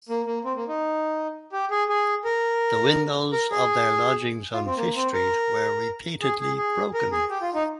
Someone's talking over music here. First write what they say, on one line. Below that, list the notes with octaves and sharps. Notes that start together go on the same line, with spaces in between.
The windows of their lodgings on Fish Street were repeatedly broken.
A#3
A#3
C4
A#3
D#4
G4
G#4
G#4
A#4
A#4
G#4
F4
C4
A#3
C4
A#4
G#4
G#4
G#4
A#4
G#4
G4
F4
D#4